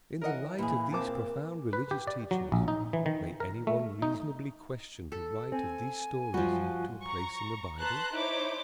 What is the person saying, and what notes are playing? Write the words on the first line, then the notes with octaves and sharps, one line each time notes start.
In the light of these profound religious teachings may any one reasonably question the right of these stories to a place in the Bible?
E3 A#4 C#5 D#5 F#5
A#2 E3 G#4 B5
C4 A#4 A5 D6
B4
G4
D5
F#3
A#1
D#4
E3
D#3
A#4
A3
D#4
A4
C4 G#5
F#2 F3 G3 F#4
A#5 C#6
B4 A5 A#5 C6 F#6
D#4 E4 C5 C#5 D6